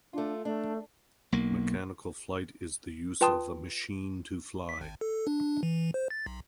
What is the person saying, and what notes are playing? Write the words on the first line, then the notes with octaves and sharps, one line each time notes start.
Mechanical flight is the use of a machine to fly.
A3 D4 F4
A3 D4
B1 A#3
F4 B4 G5 A5 C6 D#6
B6
G#1
A4
D4
E3
C5
A6
B1